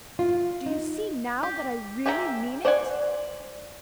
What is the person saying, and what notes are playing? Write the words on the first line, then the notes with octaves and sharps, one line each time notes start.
Do you see now that I really mean it?'
F4
D#4
G4
G4 G#4 E5 G5 A#5
C5 D5 D#5 F#5 G#5